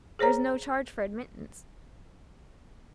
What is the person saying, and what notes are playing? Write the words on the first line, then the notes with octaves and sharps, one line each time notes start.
There's no charge for admittance.
G#4 C5 C#5 A#5